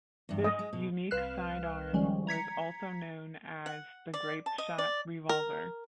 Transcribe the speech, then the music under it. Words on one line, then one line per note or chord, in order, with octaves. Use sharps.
This unique sidearm was also known as the Grape Shot Revolver.
E2 G2
D#5
G#3
B2
C2 B4 F5 F6 F#6 E7
D#3 F3 G3 G#3 C#4
A#5 G#6 B6 C#7
F#5
D5
A5
D#5
D5
A#4